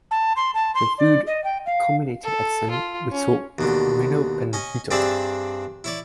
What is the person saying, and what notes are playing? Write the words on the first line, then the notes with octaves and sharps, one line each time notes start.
Their feud culminated at Sin, which saw Reno pin Vito.
A5
C6
A5
C6
D5
D#5
G5
F5
A4
F4
C#4
D#2 B2 D3
C#4 D#5 G#5
G2 C4 D4 G#4 D5 E5
E4 C#5 D5